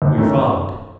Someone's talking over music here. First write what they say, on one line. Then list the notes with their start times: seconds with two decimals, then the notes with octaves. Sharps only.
We followed.
0.02 D#2
0.17 D#3 A3 C#4